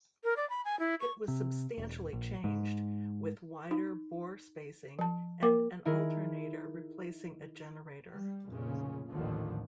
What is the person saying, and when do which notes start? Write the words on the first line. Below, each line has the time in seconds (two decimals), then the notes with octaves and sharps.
It was substantially changed, with wider bore spacing and an alternator replacing a generator.
0.24 A#4
0.37 D5
0.50 B5
0.65 G#5
0.80 E4
1.01 C#6
1.28 C3
1.78 E1
2.13 A#1
2.44 G#2
3.71 D#4
4.99 F3 A5
5.43 A#3 A#4 D6
5.85 D#3 E4 G#4 A#4
8.11 G3
8.47 F1 A#2 C#3 C#4
9.10 A1 D#2 A#2 D3 D#3 F3